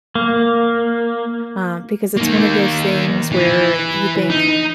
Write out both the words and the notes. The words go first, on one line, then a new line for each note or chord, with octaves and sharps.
um, because it's one of those things where you think,
A#3
D#3 A#3
E3
D#4